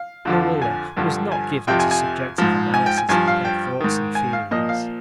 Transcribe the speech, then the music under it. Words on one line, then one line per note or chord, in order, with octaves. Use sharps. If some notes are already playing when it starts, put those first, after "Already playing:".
Marilla was not given to subjective analysis of her thoughts and feelings.
Already playing: F5
F2 D3 F3
G#5
G2 D3 F3
G#5
F2 C3 F3 G5
G#5
G#5
G#2 F3
G#5
G5
G#5
G2 F3 G#5
F5
G5
G#2 D#3
G#5
F5
A#2 F3 D#5
F5